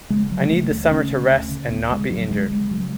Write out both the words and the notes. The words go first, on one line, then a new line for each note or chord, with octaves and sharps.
I need the summer to rest and not be injured.
C#3 G#3
C#3 F#3
C#3 A3
D2 A3
C#3 C#4
C#3
D2
C#3
D2 B3
C#3 G#3
C#3 F#3
C#3 G#3
C#3 G#3
C#3 F#3